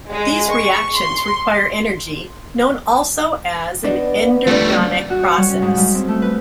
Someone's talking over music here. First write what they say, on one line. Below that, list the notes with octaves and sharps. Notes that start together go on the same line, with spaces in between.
These reactions require energy, known also as an endergonic process.
G#3
C#6
C6
B3 D4 D#4
G3 A3 D4 F4
F#4
C#5
G3
C#4
G#2
G3
C4
A3
B4